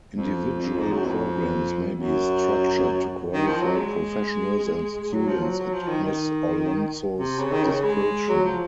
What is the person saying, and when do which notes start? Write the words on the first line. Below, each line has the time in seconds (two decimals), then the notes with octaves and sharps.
Individual programs may be structured to qualified professionals and students at Ms. Alonso's discretion.
0.15 F2
0.61 F2
0.78 G#2
0.92 F#2
1.05 F2
1.96 F#2
3.32 D#3
3.47 F3
3.61 F#3
3.76 G#3
5.03 G#3
5.13 F#3
5.28 F3
5.42 F#3
5.58 F#3
5.73 F3
5.87 D#3
6.03 D#3
7.16 C3
7.39 C#3
7.52 D#3
7.64 C#3
7.84 G#3
8.29 F#3
8.44 F3